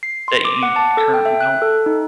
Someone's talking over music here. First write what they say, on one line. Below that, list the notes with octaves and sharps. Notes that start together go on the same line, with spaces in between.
that you currently don't.
C7
C6
D6
F#5
A5
A4
G5
E5
F#6
A4
D#4